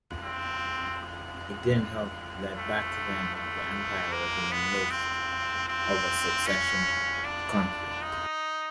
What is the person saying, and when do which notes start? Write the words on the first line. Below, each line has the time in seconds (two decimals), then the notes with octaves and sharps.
It didn't help that back then the empire was in the midst of a succession conflict.
0.23 C4
2.56 A3
3.35 A3
4.13 A#3
4.52 B3
4.91 C4
5.68 C4
6.47 C#4
7.24 D4
8.02 D#4